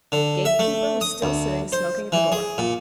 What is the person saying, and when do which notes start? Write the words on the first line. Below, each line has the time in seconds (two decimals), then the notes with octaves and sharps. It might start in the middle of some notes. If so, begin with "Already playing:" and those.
The gatekeeper was still sitting smoking at the door.
0.12 D3
0.45 E5
0.59 A3
1.01 D#6
1.22 D2
1.72 C5
2.12 E3
2.32 G#4
2.58 A#2